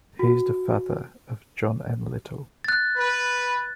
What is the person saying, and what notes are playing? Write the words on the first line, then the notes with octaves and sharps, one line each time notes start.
He is the father of John N. Little.
F#4
F#6 A6
B4